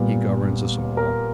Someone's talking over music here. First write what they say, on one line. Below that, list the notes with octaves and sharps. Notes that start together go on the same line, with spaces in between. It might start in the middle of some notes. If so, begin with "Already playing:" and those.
He governs us all.
Already playing: A#2 G3 B3
A#4